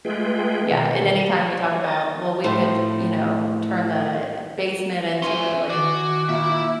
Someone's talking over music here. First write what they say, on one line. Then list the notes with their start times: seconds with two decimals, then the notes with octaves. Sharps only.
Yeah, and anytime we talk about, "Well, we could, you know, turn the basement into, like,
0.05 G#3 A3 F4 G#4 B4 G5
0.71 B2 D#3
1.29 C#5
1.84 D#5 D#6 A6
2.44 A2 F3
5.22 C#4 E5 G#5 C6
5.70 D#3 F#4 G#4 D6
6.29 A#2 E4 E5